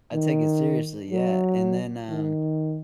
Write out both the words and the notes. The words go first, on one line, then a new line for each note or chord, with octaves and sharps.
I take it seriously, yeah, and then, um
D#3
F#3
D#3